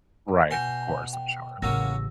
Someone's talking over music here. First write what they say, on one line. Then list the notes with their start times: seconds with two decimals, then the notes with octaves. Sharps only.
Right, of course, I'm sure.
0.51 B2 G#5 C6 G6 A#6
1.13 G5
1.62 A1 C#3 F#3 A#3 C#4 E6 A#6